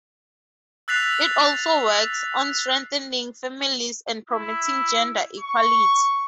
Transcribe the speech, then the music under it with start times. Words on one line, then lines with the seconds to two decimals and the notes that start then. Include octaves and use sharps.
It also works on strengthening families and promoting gender equality.
0.88 E6 F#6 A6 B6 C7 F7
4.31 E4
5.40 C#6